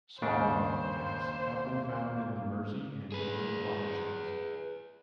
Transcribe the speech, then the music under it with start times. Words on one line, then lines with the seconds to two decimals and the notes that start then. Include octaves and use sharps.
Smallmouth bass has been found in the Mersey and neighbouring watersheds.
0.22 D#2 C#3 A#3 D4 C5
3.12 G#4 B4